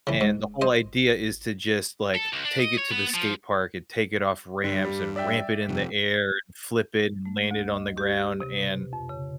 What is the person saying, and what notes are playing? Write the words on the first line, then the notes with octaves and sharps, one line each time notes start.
And the whole idea is to just, like, take it to the skate park, and take it off ramps, and ramp it in the air, and flip it, and land it on the ground, and
C2 C#3 E3
G#2
F1
C5 D#5
G#1
A4
C#2
D4
D#5
C#5
B3
F3
G2 D3
G3
D5 E5 G5
F1
A3
D2
D#5
G4
C3
B2
F2
C#3